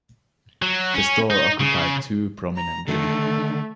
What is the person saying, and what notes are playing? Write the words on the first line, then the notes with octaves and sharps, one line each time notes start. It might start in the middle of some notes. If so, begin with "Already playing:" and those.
The store occupied two prominent buildings.
F#3
C#4
D#4
C#3
A#5
D3 D#3 A3